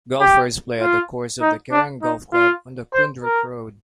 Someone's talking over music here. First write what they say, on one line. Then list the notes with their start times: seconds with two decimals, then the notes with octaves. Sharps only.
Golfers play at the course of the Kerang Golf Club on Koondrook Road.
0.20 G4
0.81 F4
1.41 D#4
1.71 D4
2.02 D#4
2.33 F4
2.93 C5
3.24 A#4